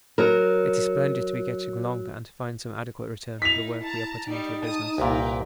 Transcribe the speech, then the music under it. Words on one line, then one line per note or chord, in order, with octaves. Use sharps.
It is splendid to be getting along and to find some adequate return for the work we are putting into the business.
F#3 A#4
D#4 E4 B6 F7
A5 A#5
G3 D#4 D5
A5 D#6
C2 A#2 A#4 B4 G5